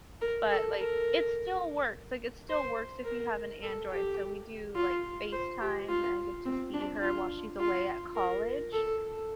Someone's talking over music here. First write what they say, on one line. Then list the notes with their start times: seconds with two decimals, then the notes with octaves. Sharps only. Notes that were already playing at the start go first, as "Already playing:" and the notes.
but, like, it still works, like, it still works if you have an Android, so we do like FaceTime, and I get to see her while she's away at college.
0.21 A#4
0.51 A4
0.79 A#4
2.49 C5
3.05 A#4
3.62 A4
3.91 G4
4.76 F4
5.32 C5
5.61 G4
5.89 F4
6.46 C4
6.74 D4
7.02 F4
7.59 F4
8.15 A#4
8.72 A4